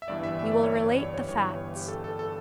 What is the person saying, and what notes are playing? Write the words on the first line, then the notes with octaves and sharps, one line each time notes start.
We will relate the facts.
E5
G1 G2 E3 D5
E5
E5
D5
C#5
D5
C#5
C#5
G1 G2 E3 C#5
G4
A4
A4
A4